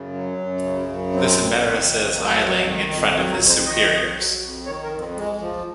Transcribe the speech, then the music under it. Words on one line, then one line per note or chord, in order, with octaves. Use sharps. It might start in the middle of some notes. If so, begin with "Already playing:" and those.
This embarrasses Eiling in front of his superiors.
Already playing: F#2 C#3
F#3
F#2
C#3
F#2
F#3 C4
F2
D#3
F2
F#3 A#3
F2
D#3
F2
F#3 C4
A#4
F2
C5
D#3 D#5
F2
F#3
F2
D#3 C#5
A#4
F2
C4
G#2 G#3
F3